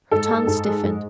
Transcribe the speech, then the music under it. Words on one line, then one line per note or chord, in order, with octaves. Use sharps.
Her tongue stiffened.
G#2 A4
G#3
G#2
G#3
G#2